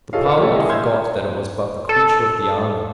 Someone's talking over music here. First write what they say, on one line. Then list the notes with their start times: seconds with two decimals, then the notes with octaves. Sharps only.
The Parliament forgot that it was but the creature of the army.
0.13 F4 G#4 A4 C#5 D#5 F5
0.25 B4 C#7
0.37 F3 A3 A#3 G4 A4 C#5
0.56 G#3 E4 G#4 D#5 F5
0.69 C6 E6 F6 G6 G#6
1.89 A4